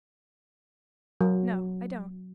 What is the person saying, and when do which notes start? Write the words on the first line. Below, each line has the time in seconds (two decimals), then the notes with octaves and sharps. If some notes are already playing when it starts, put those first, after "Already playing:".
"No, I don't."
1.21 F#3